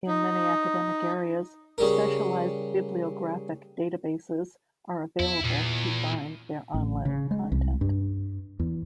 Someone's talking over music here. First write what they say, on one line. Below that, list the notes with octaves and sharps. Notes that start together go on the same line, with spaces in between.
In many academic areas, specialized bibliographic databases are available to find their online content.
D#4
C#3 G3 A#4
E2 E4
E2 A#2
A1
C#3
G#3
C2
G2
E2